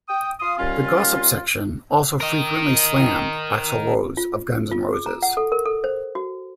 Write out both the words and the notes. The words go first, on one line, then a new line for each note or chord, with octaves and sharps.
The gossip section also frequently slammed Axl Rose of Guns N' Roses.
G5 D#6
F4 F5 C6 D#6
D#2 G3 C#4 F4
A#4 D#5
F4
F4
G#4
A#5
F#5
A4
A#4
A4
C5
F#4